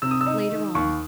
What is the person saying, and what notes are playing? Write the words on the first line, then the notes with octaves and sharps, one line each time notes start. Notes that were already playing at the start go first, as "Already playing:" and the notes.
"Later on."
C3 E6
D#6
E6
D#4
D#3
D#2 C#6